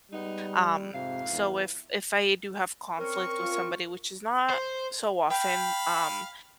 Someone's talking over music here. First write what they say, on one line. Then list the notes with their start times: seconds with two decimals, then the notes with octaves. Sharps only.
Um, so if if I do have conflict with somebody, which is not so often, um,
0.12 G3 G#3 B3 D#4
0.93 F2 G#2 C3 F5
1.31 E2
2.99 C4 C#4 A#4 C#6
3.39 F4
4.50 C5
5.30 F5 G5 B5